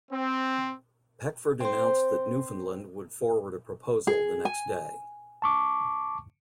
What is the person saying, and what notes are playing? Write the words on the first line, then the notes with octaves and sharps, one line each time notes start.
Peckford announced that Newfoundland would forward a proposal the next day.
C4
C4 C5
G#4
G#5
A5 C#6 D6